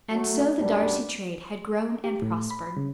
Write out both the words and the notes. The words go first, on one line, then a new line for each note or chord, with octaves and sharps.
And so the Darcy trade had grown and prospered.
F#3 A3
F#2 B2 G3 D4
G4
A2
B5
C#3